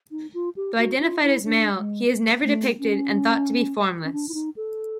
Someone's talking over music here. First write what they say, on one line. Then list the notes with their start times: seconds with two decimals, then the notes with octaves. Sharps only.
Though identified as male, he is never depicted, and thought to be formless.
0.11 D#4
0.34 F4
0.56 G4
0.78 F#4
1.00 F4
1.23 E4
1.45 D4
1.78 G#3
2.45 A3
2.79 C#4
4.04 C#4
4.13 D4
4.29 E4
4.34 D#4
4.56 A4